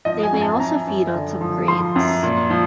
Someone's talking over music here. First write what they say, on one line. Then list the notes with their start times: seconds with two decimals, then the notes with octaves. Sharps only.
They may also feed on some grains.
0.05 F3 D#5
0.23 G#5
0.33 F#2
0.42 A5
0.60 F#2 A#5
0.87 F#2
1.14 D3
1.41 F3
1.68 F3 C6
1.96 F#2
2.23 A#2
2.50 F3